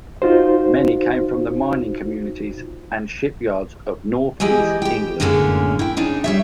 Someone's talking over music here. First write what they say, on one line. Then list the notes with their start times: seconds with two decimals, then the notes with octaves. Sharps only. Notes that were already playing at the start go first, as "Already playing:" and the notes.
Many came from the mining communities and shipyards of North East England.
0.22 D#4 F4 F#4 C5
4.40 E3 G#3 E4 G4 D#5
4.82 G4 G5
5.20 F#2 A2 D3 G#3 A#3 C#4
5.79 E4 G5
5.97 C#3 D4 D#4
6.24 G3 C#5 E5